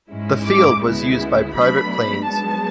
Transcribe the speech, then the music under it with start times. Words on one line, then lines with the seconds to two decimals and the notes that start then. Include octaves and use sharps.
The field was used by private planes.
0.10 G#2 G#3 C#4 E4
0.46 D6
0.83 D2 C#3 G#3 B3 E4
1.54 B2 F#3 A3 D4 B5
1.91 B5
2.26 G#2 F#3 B3 A5